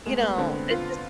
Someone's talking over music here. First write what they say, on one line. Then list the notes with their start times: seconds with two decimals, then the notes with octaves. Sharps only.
you know? It's just
0.06 G#3 A3
0.22 B3
0.38 D3 C4
0.55 B3
0.71 F4